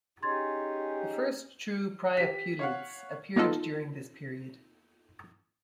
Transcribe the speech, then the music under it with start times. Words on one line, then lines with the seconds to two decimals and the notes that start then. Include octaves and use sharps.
The first true priapulids appeared during this period.
0.23 C#4 D#4 G4 G#4 C6 G#6 A6
2.17 G4 B6
2.59 C#5 F5 F#5
3.36 A#3 B3 D#4 F4 A4